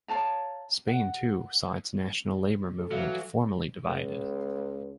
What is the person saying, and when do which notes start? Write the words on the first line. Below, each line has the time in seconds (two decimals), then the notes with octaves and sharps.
Spain, too, saw its national labor movement formally divided.
0.08 C#5 F5 A5 A#5
0.88 F#5
2.79 A4
2.91 E3 F#3 F5
3.85 C#2